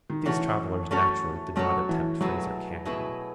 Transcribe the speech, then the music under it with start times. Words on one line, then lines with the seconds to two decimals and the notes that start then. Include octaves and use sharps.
These travellers naturally did not attempt Fraser Canyon.
0.10 D#3
0.25 E3 A3 C#4 F#4 A4 C#5
0.91 A3 C#4 F#4 A4 C#5
1.56 F#3 A3 C#4 F#4 A4 C#5
1.89 E3
2.21 B2 F#3 A3 E4 G#4 B4
2.85 B2 A3 E4 G#4 B4